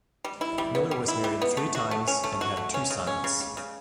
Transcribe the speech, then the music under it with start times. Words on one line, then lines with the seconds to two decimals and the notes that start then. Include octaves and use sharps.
Miller was married three times and had two sons.
0.24 G3
0.41 E4
0.58 G3
0.75 B3
0.91 G3
1.08 E4
1.24 G3
1.42 B3
1.57 A3
1.75 F#4
1.91 A3
2.08 C#4
2.24 A3
2.41 F#4
2.57 A3
2.74 C#4
2.90 C#3
3.07 C#4
3.24 C#3
3.40 G3
3.57 C#3